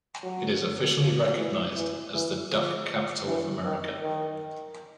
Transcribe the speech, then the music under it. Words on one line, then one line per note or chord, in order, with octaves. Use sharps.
It is officially recognized as the Duck Capital of America.
F#3
F3
E3
E3
E3
F3
E3
D#3
D#3